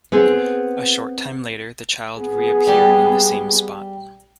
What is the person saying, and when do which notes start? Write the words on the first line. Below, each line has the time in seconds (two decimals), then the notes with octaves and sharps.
A short time later, the child reappeared in the same spot.
0.12 B3 C4 G#4
2.19 B3 G#4
2.67 G3